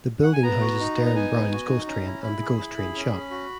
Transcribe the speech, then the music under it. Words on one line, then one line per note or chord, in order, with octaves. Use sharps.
The building houses "Derren Brown's Ghost Train" and The Ghost Train Shop.
F#5
G#5
B3 A#5
F#4
D#4
B3
A#5
D#4 G#5
B3
F#4
D#4
C#4 A#5
E4
E4 B5
G#4
E4
G#4
C#4
C#4
F#4